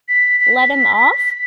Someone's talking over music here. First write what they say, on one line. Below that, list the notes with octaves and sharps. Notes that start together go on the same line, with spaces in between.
Let him off?
B6
B6